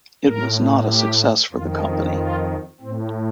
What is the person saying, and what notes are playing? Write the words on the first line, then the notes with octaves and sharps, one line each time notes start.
It was not a success for the company.
A2 A#4
G4
F2 D#3 F4
D#4
F4
A2 C4